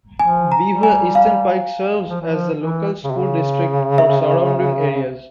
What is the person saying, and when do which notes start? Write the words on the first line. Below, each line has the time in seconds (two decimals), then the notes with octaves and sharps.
Beaver Eastern Pike serves as the local school district for surrounding areas.
0.19 F3 G#5
0.52 A#5
0.67 G3
0.83 G#5
1.15 F5
2.09 F3
2.21 E3
2.33 F3
2.57 E3
3.04 C#3
3.11 C3
3.18 C#3
3.98 E5